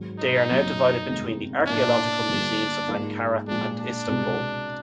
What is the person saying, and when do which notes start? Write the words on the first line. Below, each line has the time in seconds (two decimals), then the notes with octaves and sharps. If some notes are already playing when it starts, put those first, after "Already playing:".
They are now divided between the archaeological museums of Ankara and Istanbul.
Already playing: G#2 D#3 F#3
0.19 D#4
0.50 F#1 F#2 D#3
1.09 G1 F2 C3 D#3 G#3
1.68 A2 F3 A#3 D4
2.28 G1 G2 D3 F3 A#3
2.88 G#2 F3 A#3 D#4
3.48 A#2 F3 G#3 D4
3.78 D4
4.08 C2 B2 G#3